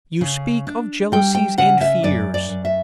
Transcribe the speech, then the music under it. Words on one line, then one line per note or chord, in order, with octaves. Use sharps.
You speak of jealousies and fears.
C#3
D4
G3 G5
G5
C#3 F#5
E5
F#2 D5
D5
F#2
E5